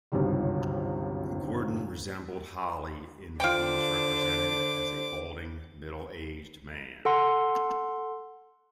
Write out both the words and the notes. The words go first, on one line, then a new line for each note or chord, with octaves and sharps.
Gordon resembled Holly in that he was represented as a balding middle-aged man.
G1 C#2 F#2 C3 D#3 G3
D3 F4 C5 G5 D6
A4 F#5 C6